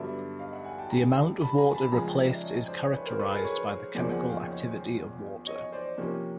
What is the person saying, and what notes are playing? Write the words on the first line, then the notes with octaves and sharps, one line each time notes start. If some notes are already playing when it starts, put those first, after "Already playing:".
The amount of water replaced is characterized by the chemical activity of water.
Already playing: G2 D3 F#3 B3 D5 E5
D#5 F5
E5 F#5
F#5 G#5
G5 A5
G#5 A#5
A5 B5
G#5 A#5
A5 B5
C#3 F3 G#3 G#5 A#5
G5 A5
D5 E5
C#5 D#5
C5 D5
B4 C#5
A#4 C5
A4 B4
G#4 A#4
B4 C#5
E2 C#3 F3 A#3 C5 D5
F#5 G#5
F5 G5
C#5 D#5
C#5 D#5
C5 D5
C3 F3 A#3 C#4